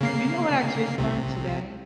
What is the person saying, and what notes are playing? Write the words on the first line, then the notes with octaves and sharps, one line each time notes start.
you know what I just learned today?
C#3 A#3 C7
C2 C3